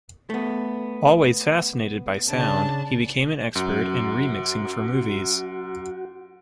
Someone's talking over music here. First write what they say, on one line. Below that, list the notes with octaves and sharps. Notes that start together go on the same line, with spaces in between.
Always fascinated by sound, he became an expert in remixing for movies.
A3 B3
C#3 D4 A5
F#2 F#4